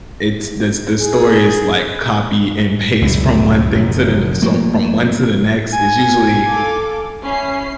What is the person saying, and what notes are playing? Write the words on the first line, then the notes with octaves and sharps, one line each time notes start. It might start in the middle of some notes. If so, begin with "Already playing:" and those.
it's this the story is like copy and paste from one thing to the some from one to the next, is usually
G#4
C#2 F#2 B2 G3
F#1 F#2 B2 F3
F3 G3 A3 A#3
G#5
A4 F5 D6
C#4 E4 C7